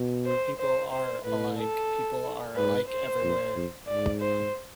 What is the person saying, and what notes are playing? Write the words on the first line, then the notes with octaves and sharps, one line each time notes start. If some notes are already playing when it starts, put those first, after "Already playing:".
People "are" alike... people are alike everywhere!
Already playing: B2
C5
C5
C5
A2 B4
A4
G#2 B4
C5
F2
F2
G#2 D5
C5